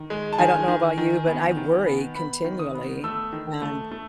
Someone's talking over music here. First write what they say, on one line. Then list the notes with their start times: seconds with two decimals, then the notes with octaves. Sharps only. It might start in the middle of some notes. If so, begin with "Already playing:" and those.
I don't know about you, but I worry continually, and
Already playing: D#3
0.10 G#3
0.33 A5
0.38 D#3 G#5
0.68 D#3
0.98 D#3
1.27 B3
1.57 D#3
1.86 B3
2.15 B3 B5
2.44 D#3
2.59 D#6
2.75 B3
3.04 A3 E6
3.33 D#3
3.62 A3
3.91 A3